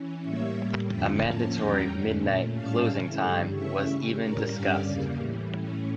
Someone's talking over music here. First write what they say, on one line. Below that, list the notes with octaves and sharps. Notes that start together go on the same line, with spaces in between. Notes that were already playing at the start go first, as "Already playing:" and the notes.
A mandatory midnight closing time was even discussed.
Already playing: E3 C#4
A2 G3 A#3 C#5 E5
A2 G3 A#3
F2 D3 F3 C#4 E5 G5
A2 F3 A#3 C#4 F5 A5
E2 D3 G3 C#4 G5 A#5
F2 D3 A3 C#4
A#2 A3 C#4
A2 G3 C#4 F5 A5
C#3 E3 A3 C#4
G2 D3 G3 A4 C#5
C#3 E3 A3 C#4 C#5 E5
C#3 G3 C#4
A2 G3 C#4 A#4 D5
G2 D3 G3 C#4 D5 F5
E2 C#3 G3 A#3
A2 E3 G3
A2 E3 A3 C#4